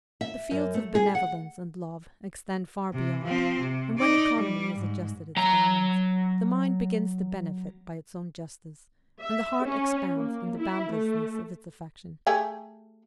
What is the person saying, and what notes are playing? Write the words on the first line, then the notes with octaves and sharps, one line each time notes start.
The fields of benevolence and love extend far beyond; and when economy has adjusted its balance, the mind begins to benefit by its own justice, and the heart expands in the boundlessness of its affection.
E5
F#2
A3
G#4
F#5
C3
F3 C4
C3
D#4 D5
G3
G#2
F#3 A#5
E5
C#4
A#3
E4
A3
A3 G4 G#4